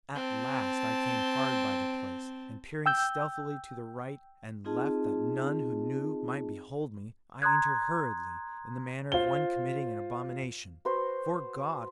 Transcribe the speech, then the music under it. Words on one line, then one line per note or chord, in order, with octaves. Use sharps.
At last I came hard by the place, and peering stealthily to the right and left that none who knew might behold me, I entered hurriedly, in the manner of one committing an abomination. 'Fore God!
C4 A5
G5 E6 G6
C4 D#4 F4 G#4 D#5 A5
A#5 C6 D#6 F#6 G#6
F4 C5 G7
F#4 B4 C5